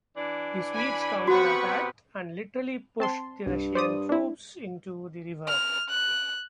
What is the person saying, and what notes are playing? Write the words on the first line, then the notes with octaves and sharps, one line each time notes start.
The Swedes counter-attacked and literally pushed the Russian troops into the river.
E3 D4
G#5 B5
C3 B3 F#4 F#5 B5 C#6
C4 A5 C6
C2 G2
C5 D5 D#6
D4 E4
F6
F#6